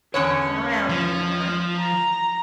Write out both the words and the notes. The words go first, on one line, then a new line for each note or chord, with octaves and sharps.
isn't around anymore,
E2 D3 C#4 C#5
F3
A#5